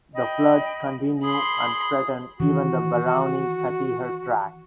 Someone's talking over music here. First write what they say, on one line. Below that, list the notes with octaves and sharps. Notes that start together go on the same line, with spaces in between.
The floods continue and threaten even the Barauni–Katihar tracks.
D#5 G5 B5
G#4 B5 C6
D#3 E3 F#4